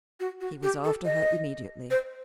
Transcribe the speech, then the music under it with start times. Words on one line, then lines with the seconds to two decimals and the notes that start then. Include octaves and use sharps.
He was after her immediately.
0.20 F#4
0.41 F#4
0.63 G4
0.84 A4
1.05 D#5
1.91 C5